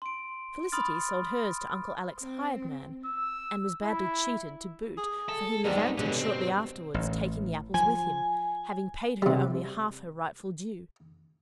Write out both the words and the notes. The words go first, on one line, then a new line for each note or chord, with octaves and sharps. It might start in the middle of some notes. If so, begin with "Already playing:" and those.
Felicity sold hers to Uncle Alec's hired man--and was badly cheated to boot, for he levanted shortly afterwards, taking the apples with him, having paid her only half her rightful due.
C6 D7
B5 C6 D#6 F6 A6
C4
E6
E4
G#4
A4
D#2 G#2 D#3 G3 B3 D#4
G2 B2 D3 G#3 C#4
C4
A1
F3 G#5
C3 G3